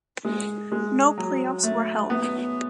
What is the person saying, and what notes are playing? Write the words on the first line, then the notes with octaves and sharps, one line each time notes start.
No playoffs were held.
G#3
G#3
F#3
A3
B3